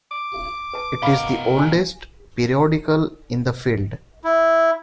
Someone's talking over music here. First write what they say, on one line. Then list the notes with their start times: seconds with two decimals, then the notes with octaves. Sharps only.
It is the oldest periodical in the field.
0.11 D6
0.73 B4 A5
1.02 B2 A#4 F5 A#5 B5
1.59 G#5
4.24 E4